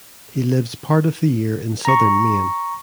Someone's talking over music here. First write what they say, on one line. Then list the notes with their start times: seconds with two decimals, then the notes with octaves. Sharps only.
He lives part of the year in Southern Maine.
1.85 A#5 C#6